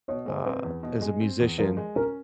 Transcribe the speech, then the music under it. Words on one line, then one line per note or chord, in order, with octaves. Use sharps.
uh, as a musician
B2 C#5
G#3 C5
C4 B4
E2
B2
G#3
C4
E2
F3 A#4
G#3
C#4 A#4